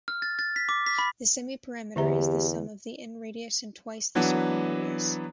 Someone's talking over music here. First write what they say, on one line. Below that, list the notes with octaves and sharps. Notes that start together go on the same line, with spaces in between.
The semiperimeter is the sum of the inradius and twice the circumradius.
F6
A6
A6
B6
D6
B6
B5
E2 D3 G4 E5 A#5
E3 F#3 B3 D4